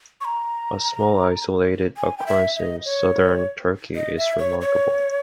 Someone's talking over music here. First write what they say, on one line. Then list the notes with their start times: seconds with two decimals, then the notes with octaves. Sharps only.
A small, isolated occurrence in southern Turkey is remarkable.
0.21 C#6
0.25 A#5
1.97 G#5
2.18 G5
2.27 E5
2.55 E5
2.60 D#5
2.85 C#5
3.95 D#5
4.17 E5
4.39 C#5
4.61 C#5